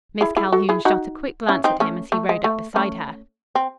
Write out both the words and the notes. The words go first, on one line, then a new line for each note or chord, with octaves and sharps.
Miss Calhoun shot a quick glance at him as he rode up beside her.
E4 G#4
E4 G#4
F#4 A4
E4 G#4
D#4 F#4
C#4 E4
C4 D#4
A3 C#4
A3
G#3
A3
A3 C#4
C4